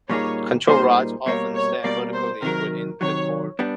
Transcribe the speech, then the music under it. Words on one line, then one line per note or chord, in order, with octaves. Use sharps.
Control rods often stand vertically within the core.
A#2 G3 A#3 D#4 G#4 C#5
A#2 G3 A#3 D#4 G#4 C5
B2 G3 A#3 C#5
C#5
B2 G3 A#3 D5
C5
C3 D#3 F#3 A#4
C3 D#3 F#3 C#5
G3 B3 D4